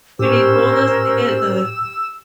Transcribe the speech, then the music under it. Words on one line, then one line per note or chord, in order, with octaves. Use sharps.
but he told us to get the
A2 C#4 G4 A#4 C5 E6